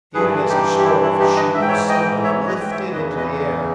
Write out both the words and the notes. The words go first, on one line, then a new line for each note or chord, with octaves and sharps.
Even as he spoke the sheep was suddenly lifted into the air.
G2 E3 G#4 B4
D#4 G4
G4
E4
E4
D#4 G4
B4 D#5
G#2 E3 E5
G5
C#5 E5
D#5 G5
C#5 E5
C#5
B4 D#5
G5
C#5 E5
E2 C#3 E3 B4 D#5
B4 D#5